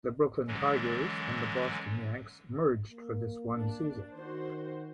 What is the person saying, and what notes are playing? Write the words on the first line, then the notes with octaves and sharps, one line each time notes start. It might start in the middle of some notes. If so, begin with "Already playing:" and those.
The Brooklyn Tigers and the Boston Yanks merged for this one season.
D3 E3 F#3 G#3 C#4
A#3
D4
D#3 F#4 C5